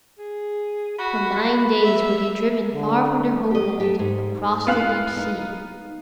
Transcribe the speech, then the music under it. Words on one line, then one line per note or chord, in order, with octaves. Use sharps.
For nine days were they driven far from their homeland, across the deep sea.
G#4
F#4 B5
E5
D3
G4 D#5
A3 G4
G#2
B3 E4 F5 F#6
D#4